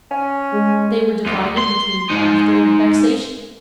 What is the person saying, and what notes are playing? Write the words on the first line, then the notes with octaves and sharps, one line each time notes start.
They were divided between laughter and vexation.
C#4
G#3
D2
C6
G#3 D#4